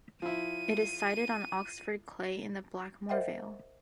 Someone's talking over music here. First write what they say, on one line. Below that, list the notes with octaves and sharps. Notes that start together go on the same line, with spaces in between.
It is sited on Oxford clay in the Blackmore Vale.
F3 E4 D#7
A#4 C5 D#5 E5 F#5 G5